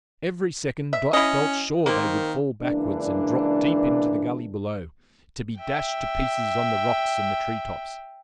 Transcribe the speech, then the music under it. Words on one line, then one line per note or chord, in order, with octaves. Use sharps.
Every second Dot felt sure they would fall backward and drop deep into the gully below, to be dashed to pieces on the rocks and the tree tops.
E5
C#4 E4 D#5
D#3 A#3 C4
C#2 E3 A#3 D4
E5 G5